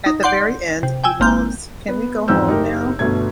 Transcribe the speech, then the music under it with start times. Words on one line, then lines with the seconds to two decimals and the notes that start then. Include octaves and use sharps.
At the very end, he moans Can we go home now?
0.06 D#4
0.23 D5 F#5 C6 G6
0.83 C3
1.04 G5 G#5 E6
1.20 G#1 A#3 C4 G6
1.88 B3
2.28 E2 G#2 F3 C4 E6 G6
2.47 F#1 D#4 G4 A#4
2.99 G1 B2 A3 G#6